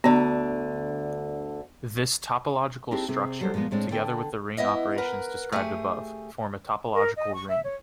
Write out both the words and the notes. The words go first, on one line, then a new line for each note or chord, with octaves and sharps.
This topological structure, together with the ring operations described above, form a topological ring.
D2 D3 B3
C4 D4 E4 G4 G#4 A#4
C3 C4 G#4
F#3 G3 A4 C5
A#2 F3 G#3 A#3 B3
A2 G#3 C4 D4
D3 B3 D4 A4 G5
B3 E4 D#5 E5
A#4 B4 F#5 A#5
A3 G4 G#4
A#4
D#5
C#6
E5
C#5